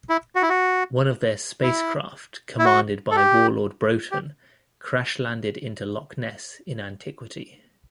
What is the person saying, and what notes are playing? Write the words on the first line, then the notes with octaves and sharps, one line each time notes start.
One of their spacecraft, commanded by warlord Broton, crash-landed into Loch Ness in Antiquity.
E4
F#4
E4
F#4
E4
E4
F#4
A4
G4
G4